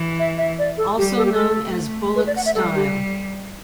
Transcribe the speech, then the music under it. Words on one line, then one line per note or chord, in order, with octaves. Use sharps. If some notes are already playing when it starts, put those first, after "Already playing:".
Also known as "bullock style".
Already playing: E3
E5
E5
D5
A4
G3 G4
A4
G4
A3 A4
B4
D5
F#5
E5
G3 A4
G4